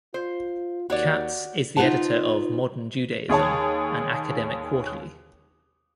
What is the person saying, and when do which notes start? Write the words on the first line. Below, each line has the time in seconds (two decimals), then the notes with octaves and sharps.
Katz is the editor of "Modern Judaism", an academic quarterly.
0.14 F4 C5
0.90 D#2 F#4 C#5 D5
1.77 D#4 F4 B4 F#5 A5
3.29 D#2 G#4 C#5 A5